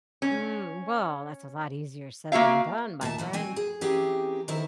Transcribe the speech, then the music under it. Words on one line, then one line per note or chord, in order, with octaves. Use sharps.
Mm, well, that's a lot easier said than done, my friend.
C#4
A#3 F#4 E5 F5
D#2 A#2 E5 A5
B2 E3 F#4
C4 F#4 G#5
G#4
E3 C4 C#4 G4 G#4 A#4
D#3 E3 B3 E4 A#4 C5